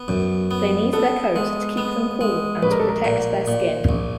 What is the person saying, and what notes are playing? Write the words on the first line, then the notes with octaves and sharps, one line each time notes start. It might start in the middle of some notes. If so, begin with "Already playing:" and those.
They need their coat to keep them cool and to protect their skin.
Already playing: B3
F#2
B3
B3 A4
G#3
B3
G#3
A#1 B4
A#4
A4
A#4
A#2
A#2
A#1